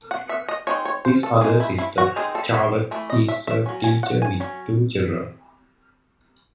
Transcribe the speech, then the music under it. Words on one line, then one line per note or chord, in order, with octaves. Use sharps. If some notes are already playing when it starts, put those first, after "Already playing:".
His other sister, Charlotte, is a teacher with two children.
F#5
E5
D#5
G#3 C4 D#4 C#5
C#5
C5
A4
G#3 D#4 G#4
E4
E4
F#4
G#3 C4 D#4 G#4
A4
C#5
E3 A3
D#5
E5
E5
F#3 C#4
G#5
F#5
G#5
F#3 C#4